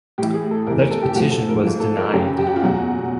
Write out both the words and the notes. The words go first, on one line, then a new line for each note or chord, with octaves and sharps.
That petition was denied.
A2 E3 G4
G#4
A4
E2 C3 E3 A#4
A#4
A4
G4
A2 F3 F#4
A4
A#4
G#2 F3
A4
A#4
F#2 C#3 F#3 G4
G4
F#4
F4
E2 B2 F#3 F#4